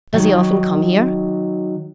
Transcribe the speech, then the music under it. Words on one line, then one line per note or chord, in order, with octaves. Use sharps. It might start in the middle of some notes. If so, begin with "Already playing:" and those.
"Does he often come here?"
D#3 F#3